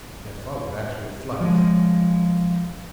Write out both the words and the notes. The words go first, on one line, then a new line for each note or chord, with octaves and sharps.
There followed actual flight.
F3 G#3